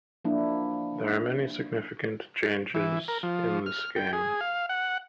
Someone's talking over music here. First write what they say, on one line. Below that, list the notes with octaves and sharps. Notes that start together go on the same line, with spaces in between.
There are many significant changes in this game.
F3 A#3 D4 E4
E3
A#4
F3
F6
G5
G#4
F5
F#5